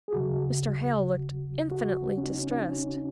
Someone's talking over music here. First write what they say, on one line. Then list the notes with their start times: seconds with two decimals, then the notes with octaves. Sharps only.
Mr. Hale looked infinitely distressed.
0.08 G#4
0.13 D#2 C#3 F#3 F#4
1.71 F#4
2.18 C#4
2.24 D#4
2.50 C#4